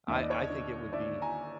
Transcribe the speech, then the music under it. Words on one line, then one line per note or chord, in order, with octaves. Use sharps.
I I think it would be
D#2 E5
D#5
D5
C#5 D#5
D3
D3 D5 E5
G#5 A#5